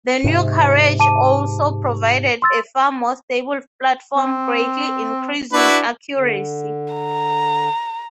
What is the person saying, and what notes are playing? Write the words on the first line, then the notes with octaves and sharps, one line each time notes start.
The new carriage also provided a far more stable platform, greatly increasing accuracy.
G#2 C3
A5 D6 D#7
C6 E6 A6
C4
D4 E4 F#4 B4
D3
A#5